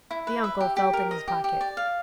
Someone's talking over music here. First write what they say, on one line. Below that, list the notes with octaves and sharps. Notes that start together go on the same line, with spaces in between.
The uncle felt in his pocket.
E4
B4
E5
G4
G4
A#4
D#5
G4
G4
D5
F5